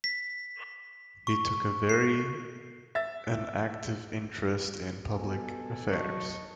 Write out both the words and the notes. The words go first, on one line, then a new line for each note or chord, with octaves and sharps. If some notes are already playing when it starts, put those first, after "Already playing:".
He took a very an active interest in public affairs.
B6
C#6
C7
E5 A6
B2 A4 G#5
F#3 D#5 A5 C#6